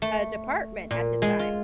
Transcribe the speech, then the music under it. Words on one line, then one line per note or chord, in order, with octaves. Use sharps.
uh, department at the time.
A3
A#2
G#3
F4